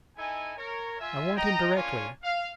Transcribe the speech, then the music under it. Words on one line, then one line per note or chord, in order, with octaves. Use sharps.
I want him directly.
D#4 E4 A4 G#5
A#4 C#5
F4 E5 G#5
D#5 G5 A#5
A#3 C#4 D4 F4 C#5 G#5
F5